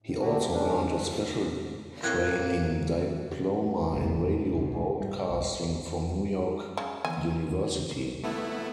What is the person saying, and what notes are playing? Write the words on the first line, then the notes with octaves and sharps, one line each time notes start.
He also earned a special training diploma in radio broadcasting from New York University.
A2
D3 D4 E4 F#4 G4
G3 A#3 B3 G4
G#2 C#4 D4
A2 A#3 C4 D#5 F#6 G#6
F1 C2 A2 C3
A2
C#2 B2
G#2 G3
B1
C#3
D#3 E3 B3 G#5
A3 B3 E4